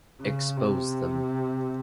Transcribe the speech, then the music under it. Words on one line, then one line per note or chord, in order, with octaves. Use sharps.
Expose them.
C#3
C3